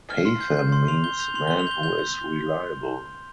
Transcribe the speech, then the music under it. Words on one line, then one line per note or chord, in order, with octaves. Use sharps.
Pathan means man who is reliable.
F6
C7
C6
G6
G6
C6
C6 F7
G6 G7
G6 F7
C6 F7
C6 G7
F7
G6 G7
G6 F7
G6